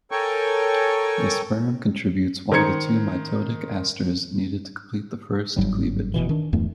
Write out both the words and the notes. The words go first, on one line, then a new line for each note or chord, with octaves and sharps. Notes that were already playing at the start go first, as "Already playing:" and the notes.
The sperm contributes one of the two mitotic asters needed to complete first cleavage.
A4 A#4 C#5 G5 G#5 C#6
D#3 C5 A#5 G#6 C#7
G1 G#2 F#3 G3
F1 B2 E3
D#3 D4
D1 E2 G2 A3